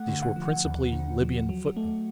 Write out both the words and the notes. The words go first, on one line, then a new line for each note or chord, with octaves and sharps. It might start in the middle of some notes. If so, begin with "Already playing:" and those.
These were principally Libyan footmen.
Already playing: A3 F#5
D3
F#5
F3
D#2 F#5
D3
F3
F#3
A3